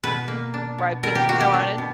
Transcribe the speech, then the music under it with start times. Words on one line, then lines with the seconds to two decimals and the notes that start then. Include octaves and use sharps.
Right, being so on.
0.03 B2 B4
0.28 A#3
0.54 D4
0.78 B2
1.03 B2 A#4
1.15 G4
1.28 A#3 F#4
1.40 G4
1.54 D4
1.78 B2